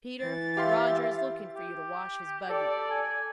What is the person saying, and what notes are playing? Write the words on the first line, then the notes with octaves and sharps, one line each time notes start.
Peter, Roger is looking for you to wash his buggy.
E3 A6
G4 E5 F5 C6
G4
A4 D5
G#5